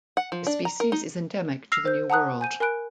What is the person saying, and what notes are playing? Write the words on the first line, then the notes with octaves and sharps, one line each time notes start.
The species is endemic to the New World.
F#5
F3
D4
A#5
A#4
D#4
E6 F6 A#6 C7 F7
C5 G6
F#5 A5 A#5 D#6 F#6
G#5 G6 D#7
A#4 G#5 B5 F#6 D7